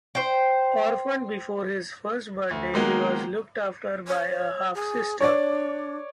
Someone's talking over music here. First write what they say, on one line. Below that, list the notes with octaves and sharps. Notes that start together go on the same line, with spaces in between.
Orphaned before his first birthday, he was looked after by a half-sister.
C5 G5
D2
D#3 F#3 G#3 A#3 B3
C#5
G#4
D4 C#5 D5